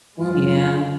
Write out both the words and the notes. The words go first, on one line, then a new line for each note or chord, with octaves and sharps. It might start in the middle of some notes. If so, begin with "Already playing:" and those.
Well, yeah.
F#2 G#3 F4